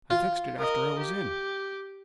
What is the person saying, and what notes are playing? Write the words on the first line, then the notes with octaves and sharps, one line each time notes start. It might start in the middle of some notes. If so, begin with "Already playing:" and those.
"I fixed it after I was in."
F4
A#4 D#5
G4